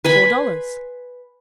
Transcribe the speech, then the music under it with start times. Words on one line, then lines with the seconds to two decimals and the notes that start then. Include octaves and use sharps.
"Four dollars."
0.04 B4 G#5 B5 C6